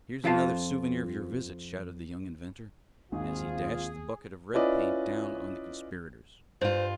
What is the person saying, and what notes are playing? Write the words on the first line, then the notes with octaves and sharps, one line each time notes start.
"Here's another souvenir of your visit," shouted the young inventor, as he dashed the bucket of red paint down on the conspirators.
F2 F3 E4 F4 F5 A5
G#1 D#2 C4 F4 G#4
C#4 E4 F4 B4 D5 D#5
G2 F4 C5